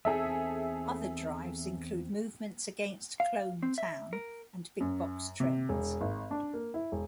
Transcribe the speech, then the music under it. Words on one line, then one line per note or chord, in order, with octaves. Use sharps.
Other drives include movements against Clone town and Big-box trends.
E2 C4 D#4 G#4 A4 E5
F5
C4
E5
A#4
F#2
C3
E1
G#1
D4
A#3
E4
E1